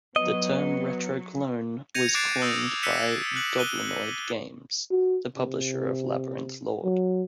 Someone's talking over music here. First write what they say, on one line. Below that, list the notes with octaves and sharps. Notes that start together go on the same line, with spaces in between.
The term "retro-clone" was coined by Goblinoid Games, the publisher of Labyrinth Lord.
F#3 B3 D#5
G6 G#6 A#6 C#7 D#7 F7
D6 F#6 A6 C7 D7 E7
D#6 E6 G6
E6 F#6 B6 C#7 D#7 E7
F#6 F#7
F#6 D#7 G7
F#4
C3
F#3